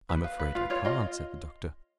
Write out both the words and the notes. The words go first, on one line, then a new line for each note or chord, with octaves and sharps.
"I am afraid I can't," said the Doctor.
B4
B4 F5
B4
F4 F5
F4 C#5
F4 D#5